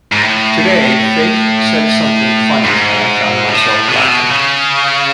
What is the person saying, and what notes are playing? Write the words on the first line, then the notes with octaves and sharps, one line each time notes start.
Today Faith said something funny and I found myself laughing.
G#2
A2
G2
G#2
A2
B2
C3
B2
C#3